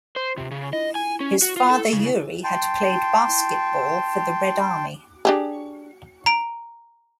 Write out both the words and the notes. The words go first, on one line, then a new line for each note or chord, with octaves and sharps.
His father Yury had played basketball for the Red Army.
C5
C3
C#3
D#5
G#5
C#4
F#4
F4
A4
C#3
G5 A5 C6
D4 G4 G#4
A#5 D7